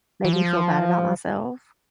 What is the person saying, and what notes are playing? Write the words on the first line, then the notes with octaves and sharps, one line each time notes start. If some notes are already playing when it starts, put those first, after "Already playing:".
made me feel bad about myself,
E3
F3